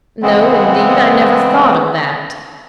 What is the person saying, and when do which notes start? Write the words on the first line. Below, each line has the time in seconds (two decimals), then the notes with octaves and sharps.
"No, indeed, I never thought of that."
0.22 C#3 E3 G#3 B3 C4